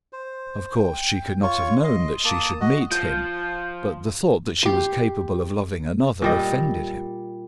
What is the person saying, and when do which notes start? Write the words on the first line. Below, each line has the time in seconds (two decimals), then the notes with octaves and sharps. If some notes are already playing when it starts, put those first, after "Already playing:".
Of course, she could not have known that she should meet him, but the thought that she was capable of loving another offended him.
0.13 C5
0.78 G5
1.43 F4 C#5 C#6
1.83 D#5 C6
2.25 A#3 A5 D#6
2.61 F#4 D#5
2.92 F3 G6
4.63 G4 C6
6.22 A#2 G3 D#5